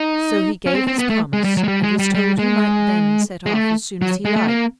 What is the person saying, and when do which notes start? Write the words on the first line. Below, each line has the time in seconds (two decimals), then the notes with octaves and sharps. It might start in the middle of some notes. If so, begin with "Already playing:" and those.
So he gave his promise, and was told he might then set off as soon as he liked.
Already playing: D#4
0.66 C#4
0.74 C4
0.87 C4
0.99 B3
1.10 A3
1.33 G#3
1.44 G3
1.57 F#3
1.64 G#3
1.68 G3
1.83 G#3
1.99 G3
2.15 G3
2.39 G#3
3.46 G#3
3.55 A3
4.02 F#3
4.25 G#3
4.36 A3
4.48 A#3